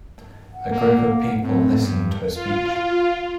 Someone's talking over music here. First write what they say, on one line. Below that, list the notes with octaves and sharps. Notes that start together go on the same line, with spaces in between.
A group of people listen to a speech.
F#5
A#3
A2 C4
G2 B3
F4